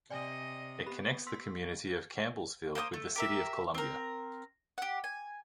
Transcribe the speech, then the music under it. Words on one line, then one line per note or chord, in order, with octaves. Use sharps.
It connects the community of Campbellsville with the city of Columbia.
C3 D5 D#5 G5 G#5
B3 G4 B5
C6 E6 B6
A#3 C5 G5 D#6
A3
G4 A#4 E5
C4 A#4
G4 F#5
G#5